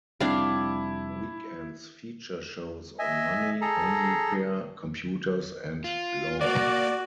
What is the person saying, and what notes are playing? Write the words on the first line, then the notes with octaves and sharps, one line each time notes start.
Weekends feature shows on money, home repair, computers and law.
F1 G3 C4 D4 E4 F5
D#5 E5 G#5
G#4 A4 A#5
F4
A#3 F#4 D5